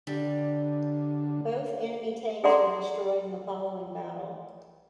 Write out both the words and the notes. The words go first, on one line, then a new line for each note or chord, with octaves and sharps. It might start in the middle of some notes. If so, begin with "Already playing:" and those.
Both enemy tanks were destroyed in the following battle.
D3 G3
G#4 A4 D5 F#5 A#5 C6